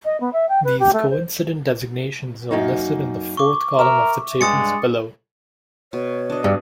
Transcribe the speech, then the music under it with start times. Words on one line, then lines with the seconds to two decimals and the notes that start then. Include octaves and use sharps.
These coincident designations are listed in the fourth column of the tables below.
0.05 D#5
0.20 B3
0.33 E5
0.49 G5
0.64 B4
0.80 G4
0.93 A3
1.10 C5
2.51 F#2 A#3 D#4
3.37 C#6 D6
3.79 A#4 E5
4.41 G2 G#3 D4 D#6 A6 C#7
5.93 B2 C#5
6.30 D4 D#5
6.44 G2